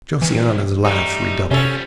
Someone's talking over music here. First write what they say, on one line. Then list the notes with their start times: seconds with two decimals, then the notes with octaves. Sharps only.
Josiana's laugh redoubled.
0.22 B1 G2 E3
0.85 G3 A3 D#4
1.51 C3 F3 G3 C#4 A4